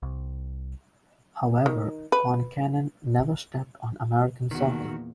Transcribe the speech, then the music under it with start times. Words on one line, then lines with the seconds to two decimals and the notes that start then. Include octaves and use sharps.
However, Concanen never stepped on American soil.
0.03 C2
1.66 D#3
2.12 B4
4.51 E2 A#2 D#3 F#4